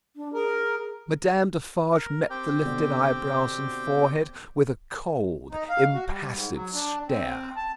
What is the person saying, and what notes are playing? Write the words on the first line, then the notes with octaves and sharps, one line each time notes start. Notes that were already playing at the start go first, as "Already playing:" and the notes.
Madame Defarge met the lifted eyebrows and forehead with a cold, impassive stare.
D4
G#4 A#4
A#4
C4 G4 G5
B2 D3
D#4
F5
F#4
G3
G#2
F#3
D4
C4
A5